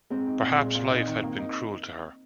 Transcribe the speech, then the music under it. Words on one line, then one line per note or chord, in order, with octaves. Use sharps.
Perhaps life had been cruel to her.
G#3 C4
D#4
A#2
G#3
A#2
D#4
D#3
A#3
D#4